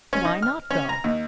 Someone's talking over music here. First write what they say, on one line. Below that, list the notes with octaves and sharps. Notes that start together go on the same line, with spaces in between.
"Why not go?"
C#4
D#4
F6
C#4
A#5
D#2